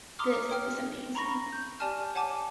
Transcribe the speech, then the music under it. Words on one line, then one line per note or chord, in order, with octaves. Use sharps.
This is amazing.
A#5 C6 D6 D#6 F6
C#5 G5 F6
A#5 B5 C#6 A#6
G6
G4 D5 G#5 A5 F6
C#5 F#5 G#5 A5 D6